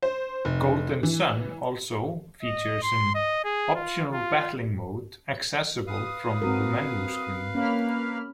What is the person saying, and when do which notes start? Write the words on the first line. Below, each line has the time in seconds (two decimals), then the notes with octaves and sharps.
"Golden Sun" also features an optional battling mode accessible from the menu screen.
0.02 C5
0.45 F1
1.03 E3
2.43 D#5
2.83 C6
3.15 D#5
3.45 G#4
3.75 F4
4.12 F4
5.87 B4 F5 D#6
6.42 C4 F#4 A#4
7.55 A#3 C#4 B5 F6